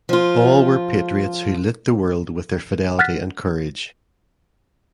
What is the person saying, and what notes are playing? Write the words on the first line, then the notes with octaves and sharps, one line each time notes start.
All were patriots who lit the world with their fidelity and courage.
F3 F4
F#5 F6 F#6 A6 B6